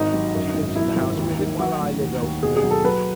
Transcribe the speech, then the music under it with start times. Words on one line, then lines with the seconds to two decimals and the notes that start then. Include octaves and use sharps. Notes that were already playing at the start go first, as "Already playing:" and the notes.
She lives in the house with him, while I live elsewhere.
Already playing: G#1 D#4
0.14 F#3
0.35 F#2
0.55 G#1
0.76 F#2 E4
0.96 G#1
1.17 D#2
1.39 D#3
1.59 F#3 F#4
1.81 A1
2.01 D#2
2.22 D#2
2.43 B2 G#4
2.56 G#4
2.64 F#3
2.71 A4
2.84 F#3 B4